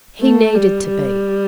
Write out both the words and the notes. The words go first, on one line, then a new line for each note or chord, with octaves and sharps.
He needed to be.
A3
G3
G3